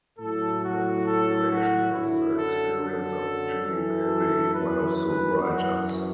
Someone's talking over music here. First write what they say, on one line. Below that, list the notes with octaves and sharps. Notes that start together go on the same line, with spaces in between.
The inspiration was the experience of Jimmy Perry, one of the writers.
A2 F#3 A4
F#4
A4
F#4
F#2 D3 F#3 E4
A4
A4
F#2 E3 A4
B4
B4
F#2 E3 F#4